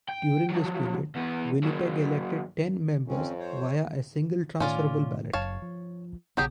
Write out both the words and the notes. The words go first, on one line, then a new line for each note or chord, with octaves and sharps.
During this period, Winnipeg elected ten members via a single transferable ballot.
G5
F3 F#3
E2 B3
F#3 A#3
F2 C4 C#4
C5 C#5
A2 D#3 C#4 F4 D5
F#1 F#2 C#5 F5 A5
F3
A#1 C#3 F#3 B3 G4 G#4